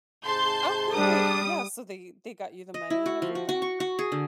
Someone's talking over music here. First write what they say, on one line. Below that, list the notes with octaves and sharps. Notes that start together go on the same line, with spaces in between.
Okay. Yeah, so they they got you the money and everything?
G#2 C3 G#4 A5 C6 G6
G3 D4 D#6
D#5
E4
F#4
F3
F#4
F#4
C#6
F#4
G#4
D3